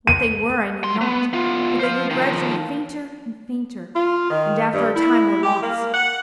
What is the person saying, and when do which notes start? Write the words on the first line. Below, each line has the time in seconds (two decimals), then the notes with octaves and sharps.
What they were I knew not, but they grew gradually fainter and fainter, and after a time were lost.
0.07 D#7
0.84 F#3 C6
1.01 B3
1.33 B3 F4
1.79 C5 F5
2.10 D#3 F3
3.94 F4
4.30 D#3
4.74 G2
4.95 E4
5.43 G4
5.62 A#3
5.94 F#5